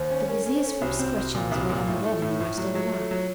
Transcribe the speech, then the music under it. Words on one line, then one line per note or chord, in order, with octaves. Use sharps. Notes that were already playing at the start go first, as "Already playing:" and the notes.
The vizir's first question was whether Noureddin were still alive.
Already playing: D#2 C5
C#4
C#4 A#4
C#4 A4
C5
C#4 A4
C2 F#4
C4
C2
A#2
C2
A#2
A2 F4
A3 D#4
F4
A2
D#4
A2 F4
F#3
F#3
A3
F#3